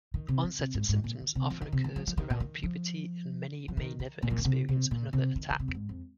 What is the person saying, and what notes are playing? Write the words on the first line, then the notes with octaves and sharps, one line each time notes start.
Onset of symptoms often occurs around puberty and many may never experience another attack.
D#3
C3
D#3
C3
G#2
G#2
A#2
D#3
C3
F3
D#3
C3
D#3
F3
F3
D#3
A#2
D#3
F3
F3
D#3
D#3
A#2
F3
D#3
C3
C3
A#2
C3
D#3
D#3
C3
F2
G#2
F2